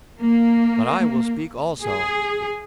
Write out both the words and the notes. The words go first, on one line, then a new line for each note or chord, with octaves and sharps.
"But I will speak also!"
A#3
G#4